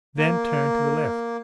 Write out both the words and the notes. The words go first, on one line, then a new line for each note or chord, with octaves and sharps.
Then turn to the left.
A#3